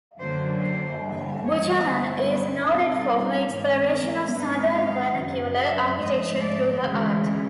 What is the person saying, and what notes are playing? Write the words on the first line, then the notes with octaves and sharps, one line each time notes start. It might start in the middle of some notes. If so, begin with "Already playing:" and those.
Buchanan is noted for her exploration of Southern vernacular architecture through her art.
F#2 D3 F#3 A#3 D4 C5
C5
G2 E3 G3
C#5
G2 D3 G3 B3 E4 C5
B4
B2 G3 C4 D#4 A4
G#2 E3 A3 C4
A#4
G#2 D#3 G#3 C4 D#4 B4
F5
F#2 C#3 F#3
E5
G#2 F3 A3 D#5
D5
D2 C#3 E3 G#3